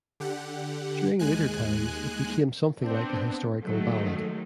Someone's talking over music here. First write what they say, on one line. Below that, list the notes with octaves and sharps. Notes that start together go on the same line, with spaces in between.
During later times, it became something like a historical ballad.
D3 G4 F#5
D#2 G#3 G#5 F#6
B3 C4 D4
D#3 F#3 G#3 A3